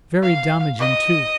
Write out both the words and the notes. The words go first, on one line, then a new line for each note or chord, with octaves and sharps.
Very damaging, too!
F5
D#5